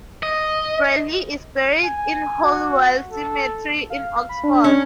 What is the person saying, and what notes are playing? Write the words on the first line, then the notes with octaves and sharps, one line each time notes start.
Bradley is buried in Holywell Cemetery in Oxford.
D#5
G#5
F#4
A4
F5
B5
D4
C#4